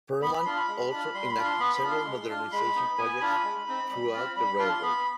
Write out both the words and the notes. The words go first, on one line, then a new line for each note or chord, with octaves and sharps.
Perlman also enacted several modernization projects throughout the railroad.
B3 B5
B5
D4 F4 C6
B5
G#3
D4 F4
G3 C6
B5
D4 F4
C6
B3 B5
B5
D4 F4
C6
G#3
D4 F4
G#3 B5
B3 D#4
B3 G#5
D4 F4 B5
G#3
C4 D#4
G3
C4 F4
G3 B5
D4 F4 C6
B3 B5